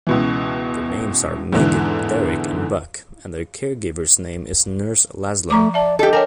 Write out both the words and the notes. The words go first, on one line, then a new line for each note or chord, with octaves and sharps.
Their names are Meg, Derrick and Buck and their care-giver's name is Nurse Lazlo.
C#2 B2 E3
E2 G#2 D3 E3
F3 A3 A#5 D6
D5 E5 A5
G4 A4 D#5
A#4 C#5 G5 G#5